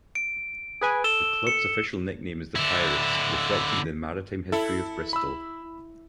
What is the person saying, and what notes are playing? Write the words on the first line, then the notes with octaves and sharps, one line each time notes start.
The club's official nickname is "The Pirates", reflecting the maritime history of Bristol.
D7
G#4 B4 G#5
A4 E6 E7 G7
C#7
D3 E4
E4 A4
B5 E6